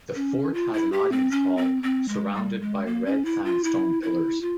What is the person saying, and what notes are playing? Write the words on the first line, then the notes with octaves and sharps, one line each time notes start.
The fort has an audience hall surrounded by red sandstone pillars.
C#4
F4
E4
G4
C4
C#4
C4
C4
G#3
G3
G#3
A#3
C#4
E4
F4
E4
E4
F4